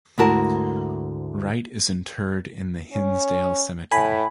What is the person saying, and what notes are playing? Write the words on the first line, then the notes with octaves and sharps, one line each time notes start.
Wright is interred in the Hinsdale Cemetery.
D2 G#2 E4 F#4 A#4 A5
C#4
A2 G#5 B5